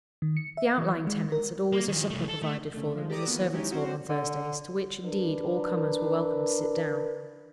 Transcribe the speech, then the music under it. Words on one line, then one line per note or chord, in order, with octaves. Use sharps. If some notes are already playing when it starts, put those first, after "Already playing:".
The out- lying tenants had always a supper provided for them in the servants'-hall on Thursdays, to which, indeed all comers were welcome to sit down.
D#3
C#7
E5
E3
G#3
A#4
A#3
D#3 F3
C2 A3
A4
A3
C#3 A3
F3 G#3
G4 A4 D5 A#5 D6 D#6
E3 A#3 B3 F#4
F#3 G#3 C#4 D#4 E4 G4
C4 C#4 F#4 C5
D3
D4 A#4 B4